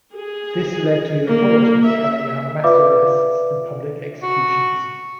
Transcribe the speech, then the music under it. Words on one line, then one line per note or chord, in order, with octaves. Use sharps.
This led to the authorities' carrying out mass arrests and public executions.
G#4
A#3
E5
F4 B4 D5 E5 F5 D6
F#4